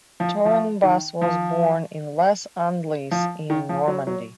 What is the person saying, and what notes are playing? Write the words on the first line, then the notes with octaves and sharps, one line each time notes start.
Turnebus was born in Les Andelys in Normandy.
F3
F3
D#3
F3
F3
D#3
F3
F#3
F#3